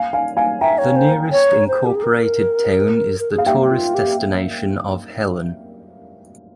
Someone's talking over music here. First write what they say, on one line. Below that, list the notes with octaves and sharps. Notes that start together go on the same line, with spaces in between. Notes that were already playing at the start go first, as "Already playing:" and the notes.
The nearest incorporated town is the tourist destination of Helen.
Already playing: F5 G#5
F5 G#5
F5 G#5
E5 G5 A#5
C#5
C5
C#5
C5
G4
G#4
A#4
A#4
G#4
F5
G4 E5 G5
G4
F4
G4